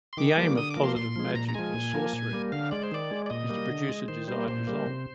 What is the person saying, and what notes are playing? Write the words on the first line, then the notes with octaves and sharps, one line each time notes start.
The aim of positive magic or sorcery is to produce a desired result.
C6
D#3 D6
G3 A#3
D3 D#6
D6
F3 A#3
C6
A#2 C6
F3 G#3
A#2 A#5
A#5
F3 G#3 G#5
A#2
F3 A#3
A#2
G3 A#3
D3 F5
G#3 D5
C5
D#3 D5
G#3
D5
A#2 D#5
G3 A#3
D3
G#3
D#3 C5
G3 A#3 C5
A#2 C5
G3 A#3
C3